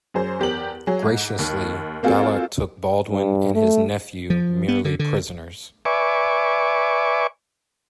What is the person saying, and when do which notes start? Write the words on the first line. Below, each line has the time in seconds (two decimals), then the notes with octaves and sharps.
Graciously, Balac took Baldwin and his nephew merely prisoners.
0.14 F#2 G#4 C5
0.39 E2 G4 A#4 F#7
0.87 F#3 G#4
1.02 G#2
1.39 D#2
2.03 A#3 C4 F4 F#4 G#4 A4
3.10 G2
3.55 A3
4.30 F3
4.68 B3
4.85 D3
4.99 D3
5.85 B4 D5 E5 G#5 C#6 D6